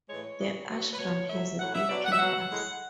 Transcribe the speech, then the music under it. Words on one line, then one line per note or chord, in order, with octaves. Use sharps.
The ashram has a big campus.
A2 E3 G#3 C#5
C#5
A2 E3 G#3
B2 F#3
B4
B2 F#3 C#5
A2 F#3 E5
A2 F#3 F#5
E5
B2 F#3 D5
F#5
E5
B2 F#3 F#5
A2 G#3